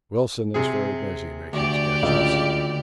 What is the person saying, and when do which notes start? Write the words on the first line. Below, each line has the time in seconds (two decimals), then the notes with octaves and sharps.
Wilson is very busy making sketches.
0.54 C3 G#4
1.53 D2 G4 D5
2.03 C#2